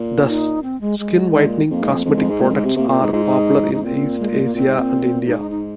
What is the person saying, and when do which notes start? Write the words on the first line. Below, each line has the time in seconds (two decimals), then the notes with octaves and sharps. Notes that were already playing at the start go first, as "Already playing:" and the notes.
Thus, skin whitening cosmetic products are popular in East Asia and India.
Already playing: A#2
0.22 C4
0.28 D#4
0.63 C4
0.81 G#3
0.99 G#3
1.34 D#3
1.46 A#2
1.70 F2 A#3
1.82 G#2
1.94 F2
1.97 A#3
2.05 F2 G#3
2.17 F2
2.30 G#2
2.41 A#2
2.50 F2
2.54 G#2
2.65 C3
2.76 C3 A#3
2.89 A#2 C4
3.01 G#2 D#4
3.13 G#2 F4
3.25 D#4
3.73 G#2 D#4
3.84 A#2 C4
4.20 G#3
4.31 G#3
4.44 A#3
4.55 A#2 C4
4.68 G#2
4.80 A#2
5.27 G#2 D#4
5.39 D#4
5.51 D#4